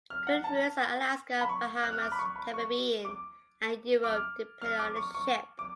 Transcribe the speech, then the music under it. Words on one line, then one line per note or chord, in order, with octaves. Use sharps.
Current routes are Alaska, Bahamas, Caribbean, and Europe, depending on the ship.
F6
F#5
A5
B5
C#6
F#6
F6
D6
B5
C#6
B5
C#6
D6
D6
F6
F6
D6
C#6
C#6
D6